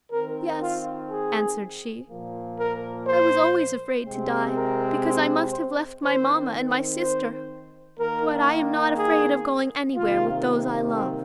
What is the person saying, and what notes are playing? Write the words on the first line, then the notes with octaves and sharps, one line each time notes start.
"Yes," answered she, "I was always afraid to die; because I must have left my mamma, and my sister; but I am not afraid of going anywhere with those I love."
D#3 C4 A#4
F4
G#4
A#2 F3 A#3
A#4
C5
C3 G#3 C4
A#4
C5
D#3 C4 C5
C5
D#3 A#3 A#4
G#4
C3 D#3 A#3 F4
C4